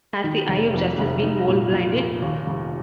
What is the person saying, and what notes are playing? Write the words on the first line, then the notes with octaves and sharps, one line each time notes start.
Has the eye of Justice been mole-blinded?
D#3
F1
F2
F1
D#4
A#2
A#2
A#2
D#2
F1